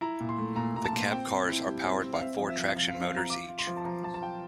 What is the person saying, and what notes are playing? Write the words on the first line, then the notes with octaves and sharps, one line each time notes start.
The cab cars are powered by four traction motors each.
E4 A#5
A#2
C6
A3
A#2 A#5
A#2 A#5
A5
A#2
C4 G5
C4
E4
G3
C4
C4
F5
C4 E5
F3
E5
F3
F3 F5
C4 F5
F5
F4
A#5
F4 D6
F4
C6
F3
A5
F3 A#5
F3 A5
A5
F4 G5